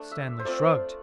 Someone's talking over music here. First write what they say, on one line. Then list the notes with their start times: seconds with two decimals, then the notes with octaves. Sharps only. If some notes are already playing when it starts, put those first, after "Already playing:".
Stanley shrugged.
Already playing: A3 D4
0.12 E5
0.39 C5
0.45 A3 C4 F4 D5